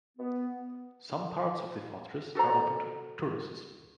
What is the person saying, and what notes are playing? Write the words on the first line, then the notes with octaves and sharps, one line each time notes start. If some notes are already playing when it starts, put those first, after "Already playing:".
Some parts of the fortress are open to tourists.
B3
F#4 A4 C5 A#5